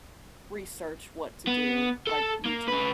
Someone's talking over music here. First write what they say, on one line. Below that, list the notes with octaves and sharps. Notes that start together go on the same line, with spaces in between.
research what to do, like YouTube.
B3
A4 A5
A#3
C#3 B4